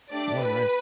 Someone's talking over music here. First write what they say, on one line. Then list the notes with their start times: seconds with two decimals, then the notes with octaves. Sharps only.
Oh, nice.
0.10 A3 D4 G4 D5
0.40 B4